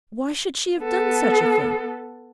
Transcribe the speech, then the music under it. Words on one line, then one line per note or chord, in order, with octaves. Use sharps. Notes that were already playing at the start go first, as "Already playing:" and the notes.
Why should she have done such a thing?
B3 A4